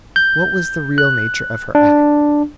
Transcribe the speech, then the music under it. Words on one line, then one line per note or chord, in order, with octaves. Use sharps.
What was the real nature of her act?
G6
F#6
D4